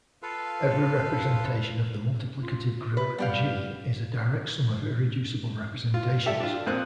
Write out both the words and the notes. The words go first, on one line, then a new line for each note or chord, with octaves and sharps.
Every representation of the multiplicative group "G" is a direct sum of irreducible representations.
F4 A4 B4 F5
F4
C3 B4
G3 B3 G4 F5
F4
G4 A4 D5 E5
D4 F4
F2 A#2 C4 A#4 F#6